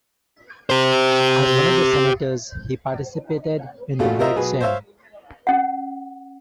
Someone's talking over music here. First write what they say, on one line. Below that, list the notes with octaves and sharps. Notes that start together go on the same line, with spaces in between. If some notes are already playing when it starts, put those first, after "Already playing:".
As one of the senators he participated in the Great Sejm.
G4 C5
A1 A#2 A3 F4 F#4
F4 A#4 C5 D#5 E5 A#5
B1 F#3 G#4 B4
C5 C#5 E5 F5
C#4 F#5